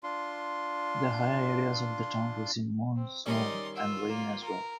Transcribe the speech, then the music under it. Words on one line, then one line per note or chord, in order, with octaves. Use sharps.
The higher areas of the town receive more snow and rain as well.
D4 F4 C6
C4
D#3 G3 C#4 D#4 D5 C6
F4 E6
A#3
A#4